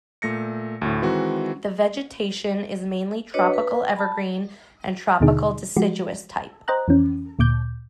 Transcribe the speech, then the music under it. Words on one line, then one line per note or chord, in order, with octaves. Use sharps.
The vegetation is mainly Tropical Evergreen and Tropical Deciduous type.
A#2 A3 A#6 C#7
D2 A2
D#3 E3 G#3 C4 F#4
D4 F#4 B4 C#5 D#5
B4
A5 B5
D#2 B2 D3 D#4 G#4
F3 G#3 F#4 G4
C5 D#5 G5 A#5 F#6
F2 E3 C#4
D2 A#2 D6 G6